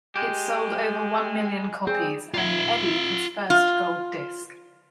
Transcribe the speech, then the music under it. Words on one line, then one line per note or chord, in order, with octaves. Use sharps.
It sold over one million copies, earning Eddy his first gold disc.
G#3 G4
C4 G#4 D5
F4 E5
F4